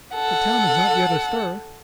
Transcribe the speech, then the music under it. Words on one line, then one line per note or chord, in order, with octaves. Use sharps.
"The town is not yet astir."
A4 F#5